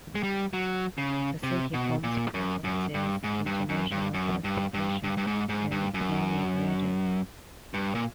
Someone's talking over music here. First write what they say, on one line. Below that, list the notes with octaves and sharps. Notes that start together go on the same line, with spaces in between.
The city forms part of this international transportation and economic region.
G#3
G3
F#3
C#3
C3
B2
A#2
F#2
F#2
G2
G#2
G2
F#2
G2
F#2
G2
G2
G2
G2
G#2
G#2
G2
F#2
G2
A#2